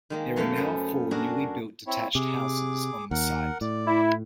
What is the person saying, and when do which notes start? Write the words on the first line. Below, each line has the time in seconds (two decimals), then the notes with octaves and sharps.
There are now four newly built detached houses on the site.
0.10 D#3 G#3 A#3
0.36 F#2 A3 A#3 C#5 C6
0.55 B3 C#4 C5
1.11 D4 F#4 G#4 A#4
1.87 C4 E4 C#5
2.15 C3 G#4 D6
3.11 D#2 A#4 F#5
3.61 A2 D5
3.87 E4